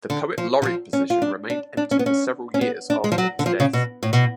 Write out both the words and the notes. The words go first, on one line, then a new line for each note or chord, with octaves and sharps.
The poet laureate position remained empty for several years after his death.
D3
F3
D3
F3
C#4
F4
D4
D4
D4
C#4
B3
C#4
C#4
B3
D4
G#3
F3
F#3
D3
F3
C#3
B2
A2
B2